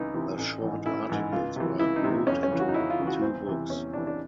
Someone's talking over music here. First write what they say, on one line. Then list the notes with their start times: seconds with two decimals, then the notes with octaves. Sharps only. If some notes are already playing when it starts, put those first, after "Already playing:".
The "Short" articles were grouped into two books.
Already playing: C#2 C3 E3 D#4 E4
0.14 C3 E3
0.38 A1
0.62 G#2 E3
0.86 A1 E4
1.09 G#2 E3
1.32 C#2 F4
1.56 C3 E3
1.79 C#2 E4
1.96 D#4
2.04 C3 E3
2.27 F2 C#4
2.43 C#4
2.51 C#3 E3
2.60 F#4
2.68 D#4
2.74 F2 E4
2.90 F4
2.99 C#3 E3
3.07 F#4
3.22 E2 C4
3.47 C3 E3
3.70 E2 C#4
3.93 C3 E3 D4
4.07 D4